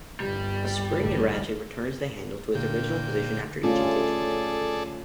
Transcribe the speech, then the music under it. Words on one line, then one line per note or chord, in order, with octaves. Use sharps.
A spring and ratchet returns the handle to its original position after each engagement.
G1 G3
A1 D3
A#2 D3 G5
A3 C#4 F4 G#4 A4 D5